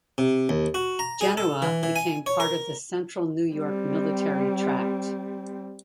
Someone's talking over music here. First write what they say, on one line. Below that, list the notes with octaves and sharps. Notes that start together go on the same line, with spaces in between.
Genoa became part of the Central New York Military Tract.
C3
D#2
F#4
A#5
G#4
A4
E3
E3
G#5
C#5
A#4
G3 C4